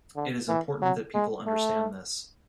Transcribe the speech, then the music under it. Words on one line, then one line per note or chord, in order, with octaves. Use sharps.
It is important that people understand this.
D3
E3
F#3
G#3
A3